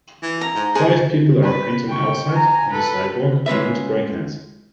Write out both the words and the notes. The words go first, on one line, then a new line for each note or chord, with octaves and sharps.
Five people are painting outside on the sidewalk using spray cans.
E3
A#5
G#2
G#2 G#4
B4
G5 C#6
G#5 A#5
A4 B4
G#3 C#4 B4 E5